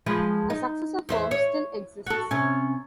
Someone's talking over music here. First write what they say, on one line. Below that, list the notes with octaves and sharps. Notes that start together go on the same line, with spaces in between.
A successor firm still exists.
F3 G#3 B4
D#4
E2 C5 E5
C#5
F#4 A4
C3 C#4